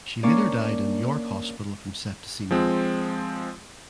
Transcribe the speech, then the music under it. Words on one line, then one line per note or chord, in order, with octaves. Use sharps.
She later died in York Hospital from septicaemia.
A#3 C#4 D4 C#5 D5
F3 G#3 C4